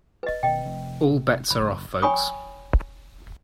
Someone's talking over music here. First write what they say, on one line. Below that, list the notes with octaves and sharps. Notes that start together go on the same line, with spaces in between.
All bets are off folks.
B4 D#5
B2 D#3 D#5 G5
C3 F3 A3
C3 C4
F#1 B5
C#5 G5 G#5 B5 C#6 D#6